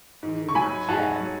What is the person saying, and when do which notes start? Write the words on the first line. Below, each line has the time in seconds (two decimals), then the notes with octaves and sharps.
"Not yet."
0.23 G#2
0.49 C#6
0.55 F#3 G#5 B5
0.88 G#2 F#5 A5
1.21 F#3